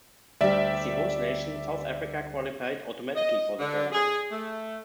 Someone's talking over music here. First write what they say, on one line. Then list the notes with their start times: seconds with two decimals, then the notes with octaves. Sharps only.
As the host nation, South Africa qualified automatically for the tournament.
0.41 D2 G3 G4 D5 E5
3.15 D#5
3.59 D3
3.92 G#4
4.30 A3